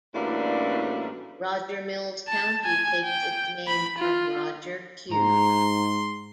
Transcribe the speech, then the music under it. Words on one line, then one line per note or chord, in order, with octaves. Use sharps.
Roger Mills County takes its name from Roger Q.
F#2 A2 E3 G3 A#3 D4
A5
G#5
G5
B5
F4
G#2 A#5 C6